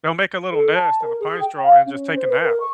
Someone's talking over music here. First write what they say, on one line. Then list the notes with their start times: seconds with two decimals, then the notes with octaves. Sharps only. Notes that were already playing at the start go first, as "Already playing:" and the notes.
They'll make a little nest in the pine straw and just take a nap.
0.51 A4
0.74 A5
1.01 A#4
1.19 G#4
1.40 G5
1.63 F5
1.85 C#4
2.15 C5
2.28 B4
2.42 A#4
2.60 C#6